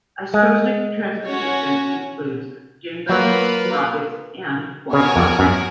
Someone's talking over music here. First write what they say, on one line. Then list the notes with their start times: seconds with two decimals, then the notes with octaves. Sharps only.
Astrosnik transportation includes dune buggies, rockets, and flying saucers.
0.34 G#3
1.26 C#4 F#4 C#5
3.09 F#3 A#3 F4 B4
4.93 C#3 B3 F#4 A#4 C#5 G#5
5.16 F2
5.39 F#2